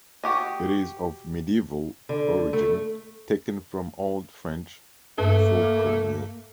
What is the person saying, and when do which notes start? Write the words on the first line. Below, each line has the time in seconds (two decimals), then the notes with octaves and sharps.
It is of medieval origin taken from Old French "faulconnier".
0.24 F#4 G4 D#5
2.09 D3
2.53 A3
5.18 G2 A3 A#3